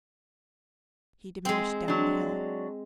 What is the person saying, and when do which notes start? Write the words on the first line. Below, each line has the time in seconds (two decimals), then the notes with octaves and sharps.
He diminished down the hill.
1.45 G#3 C4
1.88 F#3 D4